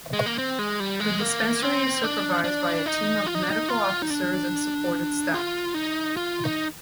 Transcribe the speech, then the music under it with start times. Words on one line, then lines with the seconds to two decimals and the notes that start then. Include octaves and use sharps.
The dispensary is supervised by a team of Medical Officers and supported staff.
0.13 G#3
0.26 A#3
0.38 C4
0.59 G#3
0.80 G3
1.00 G#3
1.20 A#3
1.62 C4
2.04 D4
2.44 D4
2.86 D#4
3.27 F4
3.35 D#4
3.43 D4
3.50 D#4
3.69 F4
4.02 D#4
4.10 D4
5.34 F4
5.74 D#4
6.17 F4
6.44 D#4